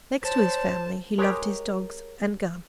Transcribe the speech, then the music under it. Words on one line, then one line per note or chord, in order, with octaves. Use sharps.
Next to his family he loved his dogs and gun.
C5 C#5 A5
G#3 G4 A#4 C#5